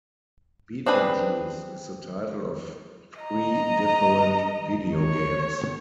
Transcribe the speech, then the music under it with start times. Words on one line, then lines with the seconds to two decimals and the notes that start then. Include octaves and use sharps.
Beetlejuice is the title of three different video games.
0.86 C4 D4 G#4 B4
3.21 D#5 A#5
4.97 C#5